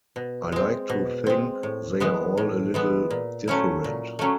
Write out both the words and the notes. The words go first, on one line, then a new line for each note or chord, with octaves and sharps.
I like to think they're all a little different.
B2
G#3 C4
B2
G#3 C4
A2
E3 G#3 B3
A2
E3 G#3 B3
A#2
F#3 A3 C#4 E4
A#2
F#3 A3 C#4